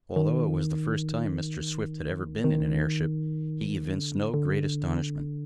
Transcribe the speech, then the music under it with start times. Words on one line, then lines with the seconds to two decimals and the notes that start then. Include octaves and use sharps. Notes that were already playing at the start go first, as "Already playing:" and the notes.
Although it was the first time Mr. Swift had ever been in an airship, he evinced no great astonishment.
0.16 D#3
2.44 D#3
3.96 D3
4.34 D3